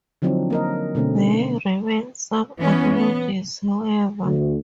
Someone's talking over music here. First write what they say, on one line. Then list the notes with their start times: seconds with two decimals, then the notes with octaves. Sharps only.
There remain some analogies, however.
0.22 D3 F3 F#3 C4 D4 D#4
0.50 A#3 A#4 D#5
0.95 B2 D3 A3 C4 C#4
2.60 E3 B3 C#4
2.95 B3
4.23 D2